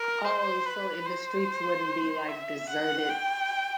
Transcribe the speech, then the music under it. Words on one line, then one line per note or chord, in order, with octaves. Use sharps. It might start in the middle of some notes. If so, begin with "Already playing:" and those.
Oh, so the streets wouldn't be like deserted
Already playing: A#4
C5
B4
C5
E5
F#5
G5